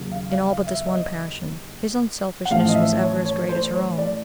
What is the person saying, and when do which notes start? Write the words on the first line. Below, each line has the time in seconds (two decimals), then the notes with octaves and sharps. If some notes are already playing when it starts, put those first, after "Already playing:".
In all but this one passion his unselfishness was ever as great as her own.
Already playing: D#2 C#3 F#3
0.12 F5
0.30 F5
0.49 F5
0.67 E5
0.86 D#5
2.45 F#5
2.51 A1 A2 F3 F5
2.68 D#5
2.75 E5
3.00 C#5
3.25 C#5
3.49 C5
3.63 C5
3.73 C#5
3.98 D5